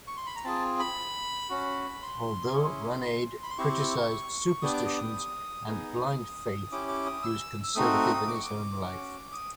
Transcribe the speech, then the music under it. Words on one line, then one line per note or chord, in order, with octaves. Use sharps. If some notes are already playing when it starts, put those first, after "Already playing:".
Though Ranade criticised superstitions and blind faith, he was conservative in his own life.
C#6
C6
B5
A#5
C4 F4 G#4 A5
B5
C#4 F#4
C6
C#4 E4 G#4
B5
C6
C4 E4 G4 C#6
B3 D4 G4 D#6
D6
D#6
B3 D#4 G#4 D#6
C#4 E4 G4 D6
D6
D#6
E6
E6
A3 C4 D#4 F#4 D#6
D6
C#6
D6
C#4 F#4
D#6